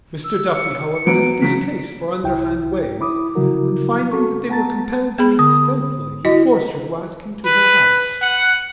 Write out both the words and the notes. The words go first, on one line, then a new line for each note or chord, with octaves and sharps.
Mr. Duffy, however, had a distaste for underhand ways and, finding that they were compelled to meet stealthily, he forced her to ask him to her house.
E6
C#7
F#3 B3 D7
C#3 F#3 B6
C2 E4 G5
E4 B5 D6 D#6
C#3 F3 F#3 E4 F#4 A#4
F#4 A4 C#6
B3 F#5 A5 A#5 A6
B3 G#4 B5
D3 D#6
E4 F#4 D#5
B4
F#5